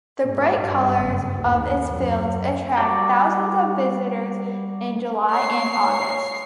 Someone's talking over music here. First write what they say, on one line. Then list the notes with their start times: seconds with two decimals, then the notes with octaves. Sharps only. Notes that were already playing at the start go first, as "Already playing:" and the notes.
The bright colours of its fields attract thousands of visitors in July and August.
0.25 G#2
0.60 G2
0.98 F#1
1.34 D#2
1.90 F#2
2.77 G3 F#4 D5 G5
5.31 C#5 C7